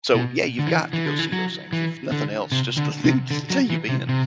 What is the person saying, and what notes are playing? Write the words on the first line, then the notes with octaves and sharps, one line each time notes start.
So, yeah, you've got to go see those things. If nothing else, just the thing to say you've been.
B2
D3
E3
E3
D3
E3
F#3
E3
D3
C3
D3
C3
D3
F#3
E3
C3
C3